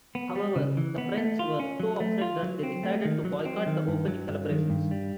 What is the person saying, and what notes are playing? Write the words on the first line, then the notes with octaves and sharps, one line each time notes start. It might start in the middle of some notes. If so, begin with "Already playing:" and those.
However, the French were so upset that they decided to boycott the opening celebrations.
B3
G3
C#3
E3
B3
A3
F4
C#4
F#3
A3
F4
F#3
C4
A3
D#3
F#3
C4
D#3
G2
F#3
G2
D#3
G2
G3